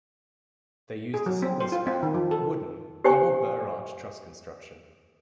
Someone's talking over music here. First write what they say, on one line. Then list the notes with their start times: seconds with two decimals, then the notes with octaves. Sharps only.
They used a single span, wooden, double Burr arch truss construction.
1.14 G#4
1.26 F#3
1.42 C4
1.60 C5
1.72 F4
1.87 C4
2.03 D#3
2.14 F3
2.31 A4
3.04 G4 C5 C#5 G5 G#5 C#6